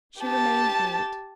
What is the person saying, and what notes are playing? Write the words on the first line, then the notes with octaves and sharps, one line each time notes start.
She remained mute.
G4 A5